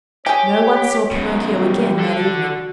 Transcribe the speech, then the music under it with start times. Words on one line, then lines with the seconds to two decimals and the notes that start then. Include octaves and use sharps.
No one saw Pinocchio again that evening.
0.26 G4 G#4 C#5 G5
1.11 F#2 B2
1.56 G3
1.99 D3 A4
2.31 F#4